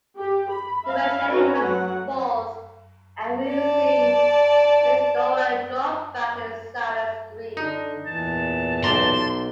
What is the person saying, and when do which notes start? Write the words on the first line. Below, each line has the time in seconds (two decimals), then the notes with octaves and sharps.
The machete rises, falls, and we see McDowell draw back in a silent scream.
0.18 G4
0.50 B5
0.86 E5 F5 A5 B5
1.31 C4 C#4 F#4 A4 B4 A#5
1.63 F#3 A3 F#4 F#5
3.49 D5 A5
7.57 D3 D4 D#4
8.06 E2 A#2 E3 A5
8.84 B1 D5 A#5 C6